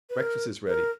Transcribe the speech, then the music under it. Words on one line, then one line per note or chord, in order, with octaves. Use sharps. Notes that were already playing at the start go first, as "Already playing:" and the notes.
Breakfast is ready.
B4
A#4
A#4